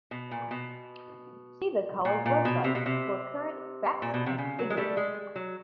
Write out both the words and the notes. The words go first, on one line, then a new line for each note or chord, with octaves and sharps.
See the college website for current Facts and Figures.
B2
A#2
B2
A#2
A#2
B2
C3
B2
C3
A#2
B2
C3
C#3
F#3
G#3
G3 A3
G#3
F#3